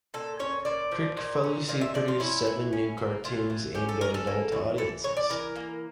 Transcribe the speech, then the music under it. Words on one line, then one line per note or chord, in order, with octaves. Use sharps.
Kricfalusi produced seven new cartoons aimed at adult audiences.
A#2 A4
C#4 C#5
A#2 D5
F3
A#2
C#4
A#2 F5
E5
F3 D5
F4
C#4 E4
E3
C#4
A#3
E3 F4
E3
C#4 G4
A4
C#4 A#4
A4
A#3
E3
E3 A4
E3 C#5
D5
E3 A#4
A#3